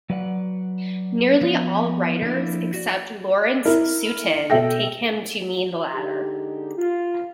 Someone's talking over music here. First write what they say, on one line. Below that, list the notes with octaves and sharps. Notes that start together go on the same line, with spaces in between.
Nearly all writers except Lawrence Sutin take him to mean the latter.
F#3 B4 D5 E5 F#5
F3 B3
F3 A#3 D4 E4
F#4 D5
E4 A#4
B2 A4 E5 G5 A#6
D3 G#3 D#4 G4
F4